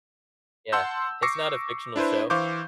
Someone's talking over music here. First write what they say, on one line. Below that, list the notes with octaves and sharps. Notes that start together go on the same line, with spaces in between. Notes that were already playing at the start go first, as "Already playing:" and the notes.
Yeah, it's not a fictional show.
F#5 A5 C6 E6 G6
C#6 D6 E6 A#6 C7 C#7
D4 E4 B4 C5
E3 C5 F5 C#6 D6 G6